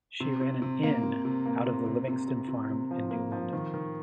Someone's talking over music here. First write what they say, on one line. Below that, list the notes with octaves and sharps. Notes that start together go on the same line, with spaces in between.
She ran an inn out of the Livingston farm in New London.
C3
C3
C3
A#3
C3
C3
A#3
C3
C3
C3
C3
C3
C3
F3
A#3
F3
D#3
D#3